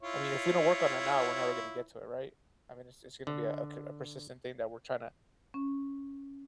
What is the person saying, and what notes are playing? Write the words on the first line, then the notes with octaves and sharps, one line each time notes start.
I mean, if we don't work on it now, we're never gonna get to it, right? I mean, it's it's gonna be a c a persistent thing that we're tryna
E4 F4 C#5
D3
C#4